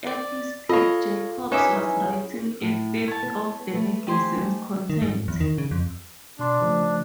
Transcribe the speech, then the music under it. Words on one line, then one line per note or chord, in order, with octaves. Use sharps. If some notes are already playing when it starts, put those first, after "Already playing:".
At his peak, Jacobs was writing a fifth of the magazine's content.
D5
F4 A4 C#5 D#5 F5
C#4 D#4 E4 G#4 B4 E5 D6
A2
C#5 A5
B3
A3 B4
A3 D#4 G4 C5 G#5
D#3
G#2
E2
D#3
C#3
F2
B2 D4 C6
C#3 F3 A3